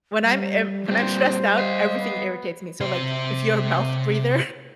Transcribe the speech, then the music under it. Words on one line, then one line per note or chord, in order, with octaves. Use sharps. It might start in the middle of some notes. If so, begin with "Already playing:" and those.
When I'm in when I'm stressed out, everything irritates me, so like, if you're a mouth breather,
G3
A#2 C4 C5
D#5 F5
B3
C3 C5